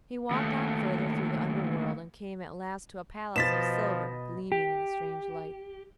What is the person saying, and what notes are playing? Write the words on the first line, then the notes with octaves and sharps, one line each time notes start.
He walked on further through the underworld, and came at last to a palace of silver, gleaming in the strange light.
D#2 A3
B2 F3 B4 D#5 A6 B6 E7
G4